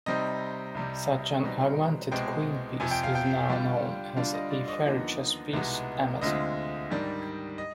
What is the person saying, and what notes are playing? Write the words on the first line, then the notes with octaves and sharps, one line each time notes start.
Such an augmented queen piece is now known as the fairy chess piece "amazon".
C3 G3 C4 D#4 D#5
C2 C3 G3
B2 G3 C4 D#4
C2 B2 G#3 C4 G5
F2 C3 F3 G#5
G5
F5
G5
D3 G3 D4 F4
D3 G3 D4 F4 F5
D#5
D5
D#5
D#2 D3 F3 B3 D#4
C2 B2 G#3 B3 D#4
D2 D3 G#3 C4 F4 D#5
G#2 D#3 G3 D4
D#5